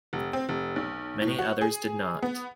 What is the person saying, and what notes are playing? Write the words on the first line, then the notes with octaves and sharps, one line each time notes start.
Many others did not.
F1
C4
F1
B1
A2
F#4
G#4
B3